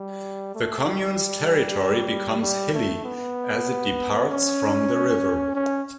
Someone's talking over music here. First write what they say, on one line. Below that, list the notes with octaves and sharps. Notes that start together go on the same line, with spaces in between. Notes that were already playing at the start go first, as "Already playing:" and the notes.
The commune's territory becomes hilly as it departs from the river.
Already playing: G3
A3
G3
G3
A3
B3
C#4
C#4